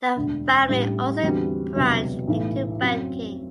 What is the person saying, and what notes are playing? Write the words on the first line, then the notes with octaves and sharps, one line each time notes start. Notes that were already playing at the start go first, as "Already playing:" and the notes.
The family also branched into banking.
E1 D2 D3
A1 A2 G3 D4
E2 D3 G3 C4 F#4
E1 D2 C3 F#3 B3
B1 A2 E3 A3 E4
F#2 F#3 C4